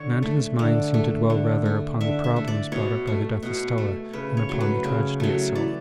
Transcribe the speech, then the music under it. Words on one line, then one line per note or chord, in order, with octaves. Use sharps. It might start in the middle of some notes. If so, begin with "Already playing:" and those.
Manton's mind seemed to dwell rather upon the problems brought up by the death of Stella than upon the tragedy itself.
Already playing: D3 C#5
A3
D3
A3
D3
A3
D3 E5
E5
A3
D5
B2 C#5
A3
B2
A3
C#3 B4
C#5
F#3 A3
B4
C#3
F#3 A3
E3 D5